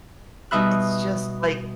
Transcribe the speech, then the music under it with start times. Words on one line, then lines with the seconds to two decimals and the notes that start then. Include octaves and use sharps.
It's just like
0.51 B2 G3 D#4 E5 B5 F#6